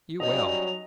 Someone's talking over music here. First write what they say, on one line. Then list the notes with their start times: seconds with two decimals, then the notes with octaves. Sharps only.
You will.
0.20 F#3 G3 C#4 D#4 D#5 F7